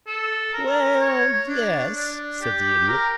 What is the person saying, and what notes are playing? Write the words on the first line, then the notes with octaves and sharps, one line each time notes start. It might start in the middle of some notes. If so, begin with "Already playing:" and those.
"Well--yes," said the Idiot.
A4
A#4
C#5
D4
D4
G4
A#4